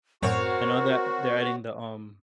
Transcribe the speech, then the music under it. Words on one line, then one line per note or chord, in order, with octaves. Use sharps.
I know that they're adding the, um,
F#2 A2 C4 F#4 A#4 C#5